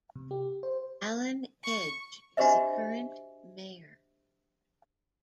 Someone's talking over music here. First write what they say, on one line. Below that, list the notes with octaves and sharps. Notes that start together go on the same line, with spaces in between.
Allen Edge is the current mayor.
C3
G4
C5
C#6
D4 F#4 G4 C5 D#5 E5